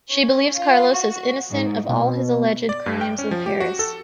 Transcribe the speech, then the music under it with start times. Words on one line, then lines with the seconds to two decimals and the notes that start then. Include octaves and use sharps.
She believes Carlos is innocent of all his alleged crimes in Paris.
0.11 C#4
0.56 F4
0.91 F#4
1.51 G#2
1.89 B2
2.69 D5
2.86 G2
3.01 G5
3.19 C#4
3.31 F3
3.46 G4
3.60 F#4
3.79 A4